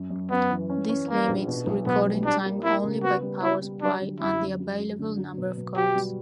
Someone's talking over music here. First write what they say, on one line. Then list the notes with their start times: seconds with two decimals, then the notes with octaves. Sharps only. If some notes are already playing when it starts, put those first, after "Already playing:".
This limits recording time only by power supply and the available number of cards.
Already playing: F#2
0.10 F#2
0.30 F#2 B3
0.50 E3
0.69 C#4
0.89 C#4
1.08 A#3 C#4
1.28 A#1
1.48 B2
1.67 B1
1.86 B1 B3
2.05 G3
2.25 G3 D4
2.45 A#3
2.64 A#3 E4
2.84 C#3
3.03 B3 F#4
3.22 G3
3.42 B3 E4
3.61 G3
3.81 F#3 D4
4.01 D3
4.20 F#2 E4
4.40 F#2
4.59 F#3
4.78 F#3
4.99 D3
5.17 F#3
5.37 B2
5.57 B2
5.76 F#4 G4
5.95 G3